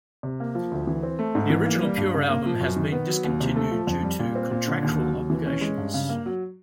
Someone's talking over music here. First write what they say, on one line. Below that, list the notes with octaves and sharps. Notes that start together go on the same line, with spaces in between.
The original "Pure" album has been discontinued due to contractual obligations.
C3
A#3
F3
D2
E3
C4
A3
G#2
E3
A#3
G3
G2
C#3
A#3
F3
F#2
D#3
B3
F#3
D#2
C3
A3
F3
F2
G3
A#2
C4
A#2
D3
D#2
F#3
D#2
E3
C#4
G#3
G2
C#3
A#3
F#3